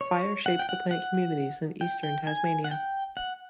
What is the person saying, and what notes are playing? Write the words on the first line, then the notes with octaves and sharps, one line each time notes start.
Fire shaped the plant communities in eastern Tasmania.
C#5
F#5
G5
F#5
F#5
G5
G5
G#5
F#5
G5
F#5